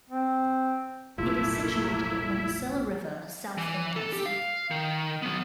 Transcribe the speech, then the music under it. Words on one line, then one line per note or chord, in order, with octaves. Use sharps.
It is situated on the Moselle River, south of Nancy.
C4
F1 B1 A#2 A3 A#3 E4 F4 E6
E3
A4
G4
F5
D#3
F#3 B3